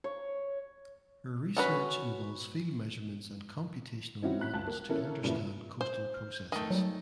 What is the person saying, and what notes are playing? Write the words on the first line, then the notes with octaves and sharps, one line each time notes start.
Her research involves field measurements and computational models to understand coastal processes.
C#5
C#4 F#4 B4
C4 C#4 D#4 E4 F#4
F#6 B6
C#2 A5 F#7
A#3
A#3 C#4 E4 A4 A#4
G2 A#2 C#3 E3 A3
C5
F6
D#3 A3
F#3 G3